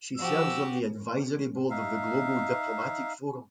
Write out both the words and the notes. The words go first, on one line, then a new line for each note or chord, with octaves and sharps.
She serves on the advisory board of the "Global Diplomatic Forum".
F3 F#4 G4 E6
D#4 E5 F5